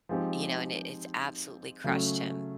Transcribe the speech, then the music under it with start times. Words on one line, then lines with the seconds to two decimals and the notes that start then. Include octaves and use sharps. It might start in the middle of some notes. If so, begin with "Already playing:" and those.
You know, and it it's absolutely crushed him
0.09 F3 G#3 C4 D#4 G4
1.84 C#3 F#3 A3 C#4